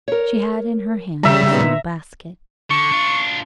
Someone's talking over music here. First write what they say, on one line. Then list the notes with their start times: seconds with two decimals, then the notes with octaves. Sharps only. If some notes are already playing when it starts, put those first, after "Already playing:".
She had in her hand a small basket.
0.08 A#4 C#5
1.23 C#3 G3 E5 A#5
1.51 A#2 B3 D#4
2.71 D3 C#6
2.92 D4 F4